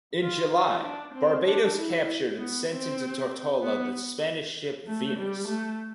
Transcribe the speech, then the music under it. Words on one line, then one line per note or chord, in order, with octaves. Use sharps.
In July "Barbadoes" captured and sent into Tortola the Spanish ship "Venus".
F4
F4
D4
C4
D4
E4
B3
C4
B3
A3
G3
A3